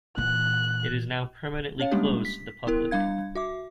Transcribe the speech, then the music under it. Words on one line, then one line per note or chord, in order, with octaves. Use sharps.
It is now permanently closed to the public.
A#2 E3 F#6
C#4 C#5 F5
G3 G#3 A#3 C#4 D4 G4
B6
B3 E4 A#4
G3 D4 F5 G#6
F#4 E5 D6